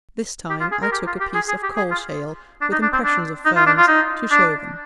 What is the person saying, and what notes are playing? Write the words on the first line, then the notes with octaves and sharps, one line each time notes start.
This time I took a piece of coal- shale, with impressions of ferns, to show them. . . .
G4
F4
G#4
A#4
G4
F4
G4
G#4
G#4
G4
G#4
F4
D4
D#4
D4
C4
D4
D#4
F4
D4
F4
D#4
D4